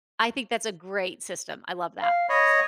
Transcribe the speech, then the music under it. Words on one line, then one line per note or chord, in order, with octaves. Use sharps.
I think that's a great system, I love that, so,
F5
C#5 D#5 B5